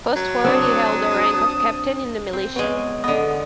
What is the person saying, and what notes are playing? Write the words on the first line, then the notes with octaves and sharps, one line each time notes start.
Post-war he held the rank of captain in the Militia.
F#3
C4 D4 F#5 A5 D#6
C4
F#3 G#3 B3
D3 B3 D#5